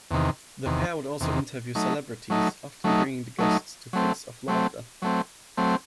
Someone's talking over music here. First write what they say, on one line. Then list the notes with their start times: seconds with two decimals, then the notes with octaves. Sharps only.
The pair would also interview celebrities, often bringing the guests to fits of laughter.
0.11 E2 C3 D#3
0.66 E2 C3 D#3
1.20 E2 C3 D#3
1.75 F#3 A3 D#4
2.30 F#3 A3 D#4
2.84 F#3 A3 D#4
3.39 F#3 A3 D#4
3.93 F#3 A3 C4
4.48 F#3 A3 C4
5.02 F#3 A3 C4
5.57 F#3 A3 C4